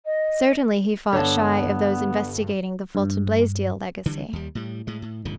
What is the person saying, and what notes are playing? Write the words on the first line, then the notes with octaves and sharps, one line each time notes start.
Certainly he fought shy of those investigating the Fulton-Blaisdell legacy.
D#5
G2 D3 B3 C#5 F5 A5
G2
D3 E3 G3
D#2 G3
A2 G3
A2 G#3
A2
D#1 G#2 D3 F3